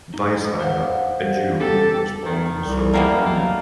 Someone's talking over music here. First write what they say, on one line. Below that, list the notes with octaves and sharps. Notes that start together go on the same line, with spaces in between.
Weisfeiler, a Jew, was born in the Soviet Union.
D#4
C5 F5 F#5
G3
E2 C#3 G4 A4 B5
D#3
C2
B2 G3 A3 A#3
F#3 A#3